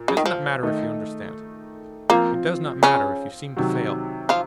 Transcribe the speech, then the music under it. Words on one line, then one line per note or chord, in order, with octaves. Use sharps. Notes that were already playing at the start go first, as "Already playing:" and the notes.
It does not matter if you understand. It does not matter if you seem to fail.
Already playing: A#2
C#3
D#3
F3
D#3 A3 D#4
F3 A#3 C4 F4
C#3 C#4
C3 D#3 F#3
F3 F4